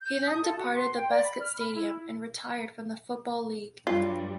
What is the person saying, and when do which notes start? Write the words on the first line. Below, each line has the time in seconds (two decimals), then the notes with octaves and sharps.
He then departed the Bescot Stadium and retired from the Football League.
0.02 G6
0.27 D#6
0.42 A4
0.57 F#4
0.75 C6
0.96 G5
1.10 D5
1.22 B5
1.40 F6
1.60 B5
1.75 E4
3.87 G2 F#3 G3 F4